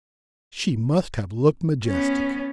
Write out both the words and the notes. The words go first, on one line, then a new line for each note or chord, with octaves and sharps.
She must have looked majestic.
B3 C#4